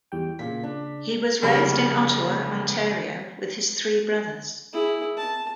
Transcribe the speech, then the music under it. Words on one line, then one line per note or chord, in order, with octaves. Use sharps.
He was raised in Ottawa, Ontario with his three brothers.
E2 G3 G5
A#2 C#3 B6
D4
F1 B1 C#3 G3 A#3 B5
E4 G#4
A5